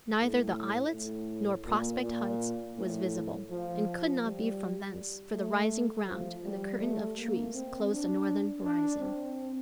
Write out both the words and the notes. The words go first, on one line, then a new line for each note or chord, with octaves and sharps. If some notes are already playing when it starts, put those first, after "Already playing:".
Neither the islet nor Prospect Heights was visible, and could not be from thence, for the rising ground and the curtain of trees closed the northern horizon.
A2
A2
A#2
A#2
A2
F3
G3
A3
F3
G3
A3
A#3
C4
D4
D4
C4